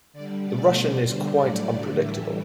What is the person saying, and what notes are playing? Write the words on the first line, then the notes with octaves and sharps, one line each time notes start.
The Russian is quite unpredictable.
D3 G3 D5
B2 A3 D5
B2 G3
D3 G3 C5
A2 F#3 A3 D5
D3 F#3 A3
A2 E3 G3 E5